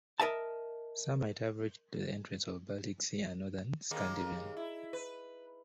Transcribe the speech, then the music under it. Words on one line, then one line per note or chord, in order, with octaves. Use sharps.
Some might have reached to entrance of Baltic Sea and northern Scandinavian.
A#4 D#5 E5 A5
D#2 G#3 A#3
E4
B4